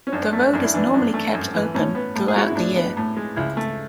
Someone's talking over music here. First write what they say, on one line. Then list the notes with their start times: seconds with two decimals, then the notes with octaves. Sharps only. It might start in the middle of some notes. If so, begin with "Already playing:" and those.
The road is normally kept open throughout the year.
0.07 C#4
0.12 F#2 D4
0.33 A3
0.53 F#2 D4
0.64 E4
0.74 E3 D4
0.94 F#2 D4
1.14 A3
1.34 F#2
1.54 E3
1.74 A2 C#4
1.95 B3
2.15 A2
2.28 G#4
2.36 G#3 F#4
2.47 E4
2.55 A2 D4
2.76 B3
2.97 A2
3.17 G#3
3.36 C#2 E4
3.57 A3